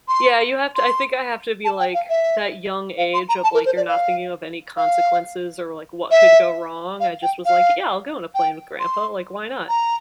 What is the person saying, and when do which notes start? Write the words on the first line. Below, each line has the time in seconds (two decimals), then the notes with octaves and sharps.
Yeah, you have to I think I have to be, like, that young age of, like, you're not thinking of any consequences, or, like, what could go wrong. I just was, like, "Yeah, I'll go on a plane with grandpa," like, "Why not?"
0.08 C6
0.75 C6
1.65 A5
1.79 G5
1.94 F5
2.09 E5
2.98 F5
3.14 C6
3.29 A#5
3.43 A5
3.54 A#4
3.66 C5
3.77 D5
3.88 F5
4.77 F5
6.11 E5
7.00 F5
7.23 G5
7.45 F5
8.35 G5
8.80 C6
9.69 A#5